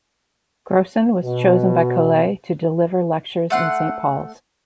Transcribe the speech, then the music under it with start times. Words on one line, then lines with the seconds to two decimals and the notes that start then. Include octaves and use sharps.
Grocyn was chosen by Colet to deliver lectures in Saint Paul's.
1.23 B2
3.50 A3 F#5 C6